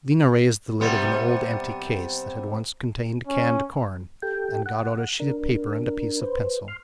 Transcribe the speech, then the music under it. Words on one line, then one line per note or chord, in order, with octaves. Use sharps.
Lena raised the lid of an old empty case that had once contained canned corn and got out a sheet of paper and a piece of pencil.
C3 G3 B3
C#4
G4 A4 G5
F#5
D4 A#4
B4 C5
C6 F6